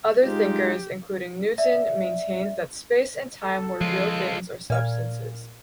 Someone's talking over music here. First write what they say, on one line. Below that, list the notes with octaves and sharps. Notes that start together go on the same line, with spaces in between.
Other thinkers, including Newton, maintained that space and time were real things or substances.
G#3 D#4 F4 G4
D5 E5
A4
F3 G#3 F4
A#2 F6 G#6